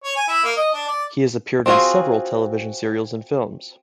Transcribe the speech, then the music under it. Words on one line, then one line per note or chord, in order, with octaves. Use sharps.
He has appeared in several television serials and films.
C#5
G#5
E4
A#3
D#5
D4
D5
C4 D4 F4 F#4 G#4